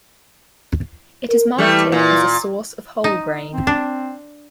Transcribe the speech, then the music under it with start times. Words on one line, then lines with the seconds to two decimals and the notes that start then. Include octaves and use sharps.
It is marketed as a source of whole grain.
1.29 A#4
1.58 E3 G3 A3
1.92 A#2
3.04 D#4
3.53 C4
3.67 D4